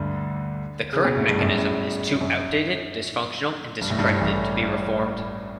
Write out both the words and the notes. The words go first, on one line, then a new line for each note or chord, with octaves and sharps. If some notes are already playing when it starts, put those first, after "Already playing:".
The current mechanism is too outdated, dysfunctional, and discredited to be reformed.
Already playing: D2 G2 D3
C#3
B2
A2
G2
F#2
F#2
G2
A2
G2
A1 A2
G2